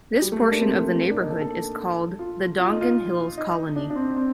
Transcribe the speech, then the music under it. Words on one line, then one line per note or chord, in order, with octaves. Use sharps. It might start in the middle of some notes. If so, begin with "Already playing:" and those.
This portion of the neighborhood is called, the Dongan Hills Colony.
G3
A3
A#3
D4
C4
C4
A#3
D4
D#4
A4
A4
F4
F4
D#4
F4
D#4
D4
D4
C4
C4